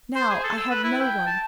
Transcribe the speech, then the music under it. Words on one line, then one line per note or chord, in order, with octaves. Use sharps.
Now I have no one.
C5
G#4
A4
E6
B4
E4
G5
A5